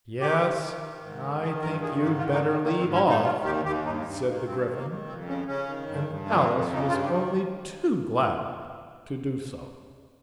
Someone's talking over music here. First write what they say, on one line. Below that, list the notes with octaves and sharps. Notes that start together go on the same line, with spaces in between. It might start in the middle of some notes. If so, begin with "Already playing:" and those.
'Yes, I think you'd better leave off,' said the Gryphon: and Alice was only too glad to do so.
D#3 G4
D#3
D#3
D#3
G#2
D#3
D#3 G#4
G2 A#4
D#3 G#4
G#2 G4
F4
D#3
D#4
D#3
D#3 A#3
C4
G#2
C#4
G#2 D#4
D#3 F4
D#2 G4
D#2 G4
G2 D#4
G#3
G2
G3
D#3
A#3
G2 C4
D#3
A#3
D#3
F2 C4
C#3 C#4
C#3 C#4
D#3
G2
G2
F2 A#3
C4
F2
C#3
D#4
G2 F4
G4
D#3